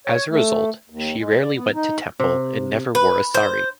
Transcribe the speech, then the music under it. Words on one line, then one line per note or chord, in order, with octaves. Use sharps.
As a result, she rarely went to temple and never wore a sari.
C#5
A3
D#2
G#3
D5
B3
D#4
C3
B4
C5